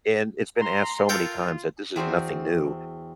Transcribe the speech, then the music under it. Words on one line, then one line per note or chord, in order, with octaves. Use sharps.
and it's been asked so many times that this is nothing new,
A#5 C6
F4 A4 A#4 G5
E2 C4 F#4 C5